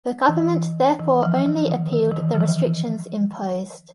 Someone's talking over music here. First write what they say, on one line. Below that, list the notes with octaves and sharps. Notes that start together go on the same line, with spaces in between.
The government therefore only appealed the restrictions imposed.
E3
E3
F3
E3
D#3
E3
E3
D#3
F3
E3